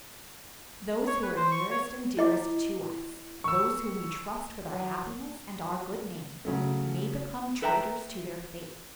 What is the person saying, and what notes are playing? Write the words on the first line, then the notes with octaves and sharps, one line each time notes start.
Those who are nearest and dearest to us, those whom we trust with our happiness and our good name, may become traitors to their faith.
C#5
B4
C5
C#6
C#5
E4 D#5 D6
C#6 E6
F#3
C#3 F#3 A3
A4 B4 E5 G5 A5 A#5